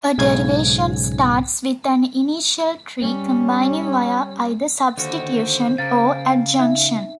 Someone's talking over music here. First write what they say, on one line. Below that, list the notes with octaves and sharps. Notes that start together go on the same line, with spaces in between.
A derivation starts with an initial tree, combining via either "substitution" or "adjunction".
B1 G#2 C#3 C#4 G#6
G3 C#4
D#2 D3 F#4 C5
C#3 F5 A#5 A6
D#4 E5